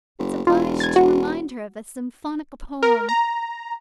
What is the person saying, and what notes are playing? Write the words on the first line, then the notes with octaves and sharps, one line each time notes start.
It's obliged to remind her of a symphonic poem.
F#1
E1 F4
G#6 A6
F#4
A#4
A#5